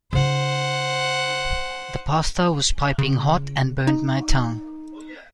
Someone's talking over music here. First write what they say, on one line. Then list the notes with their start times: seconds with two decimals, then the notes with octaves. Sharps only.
The pasta was piping hot and burnt my tongue.
0.13 C#3 D#4 C5 F#5
2.98 C#3
3.87 D#4